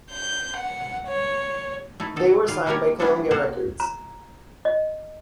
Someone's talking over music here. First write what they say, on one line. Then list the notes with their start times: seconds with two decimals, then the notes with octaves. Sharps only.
They were signed by Columbia Records.
0.11 G6
0.57 F#5
1.08 C#5
2.00 A3 D#4 E4
2.16 B2 D#4 A4
2.48 A#2 D#3 G3 F4 F5
2.66 G3 A3 A#3 G4 A#4 C#5
3.00 G3 A3 B3 C#4 D4 A4
3.31 C3 A#3 C5 F5 F#5 A5
3.80 A#5
4.65 D#5